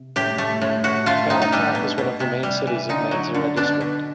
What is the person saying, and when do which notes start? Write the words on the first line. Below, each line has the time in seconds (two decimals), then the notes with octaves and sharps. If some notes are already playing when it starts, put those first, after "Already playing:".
Balakot is one of the main cities of Mansehra District.
Already playing: C3
0.16 A2 G4
0.38 A3
0.62 A2
0.84 A2 F#4
1.06 A3 F4
1.30 A2 D#4
1.42 D#4
1.52 G3 D4
1.75 B2
1.98 B2
2.20 C3
2.43 G3
2.67 E3
2.89 D3 D#4
3.11 F#3
3.34 D3
3.56 B2 D4
3.81 B2